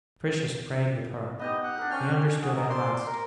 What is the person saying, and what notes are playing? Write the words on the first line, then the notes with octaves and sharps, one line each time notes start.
Patricius prayed with her; he understood at last.
B3 D#4 G4 D#5
F#5
D4 A#4
C#4 C5 G5 C#6 F6
F#4 G#4
G#4 A#4
C5 D5 C6
A#4